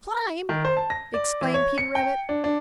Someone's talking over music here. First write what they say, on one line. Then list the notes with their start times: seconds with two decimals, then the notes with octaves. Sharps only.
"Climb!" exclaimed Peter Rabbit.
0.49 D#3
0.65 C5
0.77 A5
0.90 A#6
1.14 D5
1.41 E3
1.54 C#5
1.78 C#7
1.95 G5
2.29 D4
2.44 D4